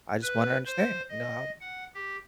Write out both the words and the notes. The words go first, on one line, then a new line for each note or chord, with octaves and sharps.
I just wanna understand, you know, how
B4
C5
D#5
F#5
G4